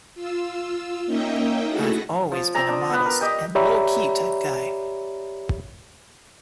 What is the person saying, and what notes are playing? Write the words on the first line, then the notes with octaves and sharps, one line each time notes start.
I've always been a modest and low-key type guy.
F4 E6
A#3 C#4 D#4 D#5 E5 G5
A3 E4 F#4 G#4 A4 A#6
F3
C4 D5 A5 A#5
D4 D#6
B3 B4
A#4
G4 D#5
G4 C#5 D5 E5 A#5 B5